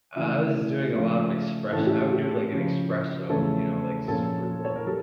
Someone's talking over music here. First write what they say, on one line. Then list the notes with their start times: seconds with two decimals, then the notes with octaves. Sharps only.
I I was doing a lot of express I would do, like, an espresso, you know, like, super, like,
0.16 C#3 E3 A3 E4
0.94 C#3 F3 A3 F4
1.73 A2 E3 A3 C#4 A4
1.86 G4
2.00 F4
2.13 G4
2.51 C#3 F3 C#4
3.30 E2 C#3 F3 A3 C#4 A4
4.08 A#2 F3 A#3 C#4 A4
4.65 C#5
4.76 A#4
4.87 G3 A4